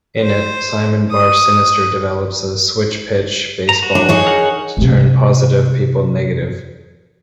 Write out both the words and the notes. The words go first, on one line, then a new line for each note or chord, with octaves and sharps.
In it, Simon Bar Sinister develops a Switchpitch baseball to turn positive people negative.
C5
D#6
A#5
F#4
D4
D#4 G#4 C#5
A#4 F#5
C3 A3